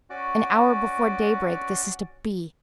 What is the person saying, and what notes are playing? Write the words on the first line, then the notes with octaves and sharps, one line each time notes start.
An hour before daybreak this is to be.
C#4 F#4 D5